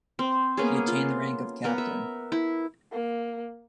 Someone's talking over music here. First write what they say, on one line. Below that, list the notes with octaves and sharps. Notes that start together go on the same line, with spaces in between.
He attained the rank of captain.
C4
A#3 B3 C#4 G#4
F4
B3 A#4
E5
E4
A#3